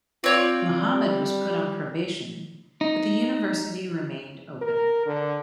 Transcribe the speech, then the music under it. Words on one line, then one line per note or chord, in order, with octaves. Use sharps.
Muhammad was put on probation, but the university remained open.
C4 F4 C#5 D5
G3
D#4
A#4
D3